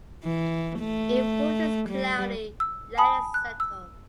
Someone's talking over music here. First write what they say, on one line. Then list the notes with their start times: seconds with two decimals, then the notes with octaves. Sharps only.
If water is cloudy, let it settle.
0.24 E3
0.80 A3
1.89 G3
2.60 E6
2.97 G#5 A5 B5 D#6
3.34 F#6
3.60 E6